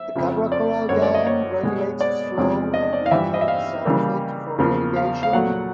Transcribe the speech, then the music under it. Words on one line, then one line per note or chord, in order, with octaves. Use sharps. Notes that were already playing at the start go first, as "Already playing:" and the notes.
The Cabra Corral Dam regulates its flow, and deviates some of it for irrigation.
Already playing: E5
F2 C#3 F3
D5
F#2 D3 G3 A#3 C#5
D5
D#5
C#5
B2 G#3 B3
D5
E2 C3 F3 G#3
D#5
D5
F5
G2 E3 G3 E5
D#5
E5
F5
C#3 E3 G3 A#3
E2 C#3 F3 A#3
F5
F5
A#2 F#3 A3 F#5